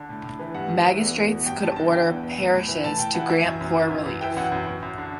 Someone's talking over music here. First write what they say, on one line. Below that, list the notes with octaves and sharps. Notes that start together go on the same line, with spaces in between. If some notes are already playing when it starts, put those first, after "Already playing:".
Magistrates could order parishes to grant poor relief.
Already playing: D3
A2
A2
E3
G2 F#5
G2
E3
E2
E2
B2
G2 G5
G2 A5
D3 A5
E3 G5
E2
E2
A2
A2
E3
A2 A5
A2 G5
E3 F#5
E3 E5
F#2
F#2
E3
F#2
F#2
E3 G5
F#2 F#5
F#2
F#2
F#2
D3